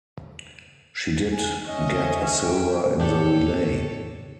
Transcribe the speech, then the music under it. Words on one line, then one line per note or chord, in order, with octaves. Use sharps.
She did get a silver in the relay.
G#5
C#4 D#5 E5
G5
A2 D4 G4 A4 C#5